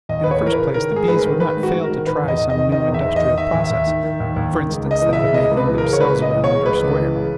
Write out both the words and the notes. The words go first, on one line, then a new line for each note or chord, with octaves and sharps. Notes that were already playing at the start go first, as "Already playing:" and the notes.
In the first place, the bees would not fail to try some new industrial process; for instance, that of making their cells round or square.
D#2 D#5
D#2 B4
C#5
E3 A#4
B4
C#3
D#3 A#4
G#2
G#4
G#2 B4
D#3 A#4
D#3 B4
G#2
F#4
G#2
A#4
D#3
D#3 B4
E2 D#5
E2
D#5
D#3
D#3 D#5
E2
E5
E2
D#3 D#5
D#3 E5
D#2
E5
D#2
D#3
D#3
D#2
D#2
D#3
C#2
C#2
D#5
E3
E5
C#3
C#2 D#5
C#2
B4
E3
A#4
C#3
C#5
C#2 B4
C#2
D#5
E3
C#5
C#3
C#2 B4
C#2
E3
C#3